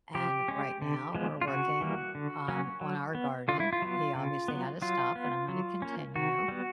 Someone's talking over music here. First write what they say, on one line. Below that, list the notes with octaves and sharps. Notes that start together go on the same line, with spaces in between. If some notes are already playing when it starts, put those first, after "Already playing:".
and right now we're working, um, on our garden. He obviously had to stop, but I'm gonna continue.
F3 G4
G#3 C#4
D3
F3 G#3 B3
F4
C#3 F#4
E3 G3 A#3
D3
F#3 A#3 C#4
F#3
B3
D3 F4
E4
F4
F#3 B3
C#3
F#3 B3
F#3 F4
B3
F#3
A#3 C#4
D#3 F#4
G3 B3